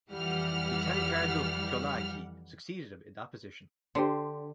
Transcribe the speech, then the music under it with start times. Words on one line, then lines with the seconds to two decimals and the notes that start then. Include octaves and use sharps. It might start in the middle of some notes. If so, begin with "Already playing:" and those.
The Italian Cardinal Pio Laghi succeeded him in that position.
0.11 F2 E3 G3 F#5 F6
3.95 D3 G4 C5